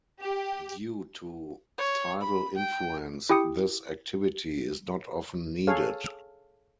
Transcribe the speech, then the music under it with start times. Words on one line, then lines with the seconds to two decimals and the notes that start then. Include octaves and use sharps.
Due to tidal influence, this activity is not often needed.
0.21 G4
1.78 C#5
2.21 B5
2.56 G5
3.30 E4 G4 G5 D#6 C#7
5.67 G#4 A4 C#5 F5